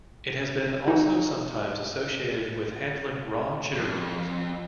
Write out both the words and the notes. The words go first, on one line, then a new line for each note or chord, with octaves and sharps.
It has been also sometimes associated with handling raw chitterlings.
D#4 F#4
F2